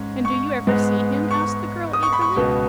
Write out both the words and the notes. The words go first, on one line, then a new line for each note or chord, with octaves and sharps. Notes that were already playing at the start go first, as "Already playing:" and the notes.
"And do you ever see him?" asked the girl, eagerly.
Already playing: G#2 G#3 C#4
C#6
G#2 G#3 B3
C#6
D#6
C#6
B5
C#6
C#2 B2 B3